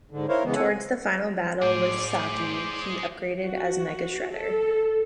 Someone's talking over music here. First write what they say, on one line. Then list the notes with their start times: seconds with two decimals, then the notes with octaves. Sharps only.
Towards the final battle with Saki, he is upgraded as Mega Shredder.
0.11 G#2 D3
0.29 E4 A#4 C5 C#5 F5
0.44 C#3 E3 G#3 B3
0.55 C4 A4 C#5 F#5 G#5
0.68 G#5
1.62 A2 G#4 C5 D5 D6
3.41 F#4
4.33 A4